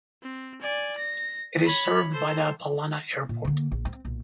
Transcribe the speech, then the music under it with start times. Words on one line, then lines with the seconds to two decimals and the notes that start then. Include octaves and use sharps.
It is served by the Palana Airport.
0.23 C4
0.61 D5 G#5
0.98 A#6
1.66 C#5 B5
2.13 A4 C5
3.29 A#2
3.45 D3 A#3
3.72 A#1
3.85 C4
4.05 B1 A#2